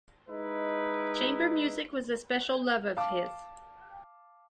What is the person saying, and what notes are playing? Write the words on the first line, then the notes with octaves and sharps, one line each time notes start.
Chamber music was a special love of his.
G#3 D#4 E4 B4
F5 A5 D6